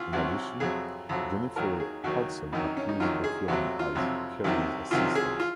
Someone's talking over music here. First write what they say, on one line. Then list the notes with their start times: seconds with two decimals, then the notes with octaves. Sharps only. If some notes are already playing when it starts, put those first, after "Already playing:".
In addition, Jennifer Hudson appears in the film as Carrie's assistant.
Already playing: C2 F4
0.13 C2 C3 F#3 F#4
0.60 F2 C3 F#3 G#4
1.09 F2 C3 F#3
1.56 D#2 D#3 F#3 A#4
1.80 G#4
2.04 D#2 D#3 F#3 F#4
2.52 F#2 D#3 F#3 D#4
2.64 D#4
2.77 C#4
2.89 D#4
3.00 F#2 D#3 F#3 F4
3.24 G#4
3.48 F2 C3 F#3 F#4
3.79 F4
3.95 F2 C3 F#3
4.44 C2 C3 D#3 F#3
4.91 C2 C3 D#3 F#3 F4
5.15 G#4
5.40 F4